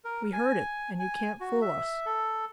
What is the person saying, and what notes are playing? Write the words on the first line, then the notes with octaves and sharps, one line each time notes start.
"We heard it, and you can't fool us!"
A#4
G#5
G#5
F#4
E5
A4